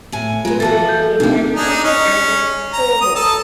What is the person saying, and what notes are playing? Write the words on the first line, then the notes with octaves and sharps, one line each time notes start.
He was educated at Eton and the Sorbonne.
A2 G#5
G#3 B3 F4
E3 F3 F#4 A5 A6
A4 G6
C3 A#3 D4 D#4
D4 D#4 G#4
C#4
A#5
D#6
A4 A5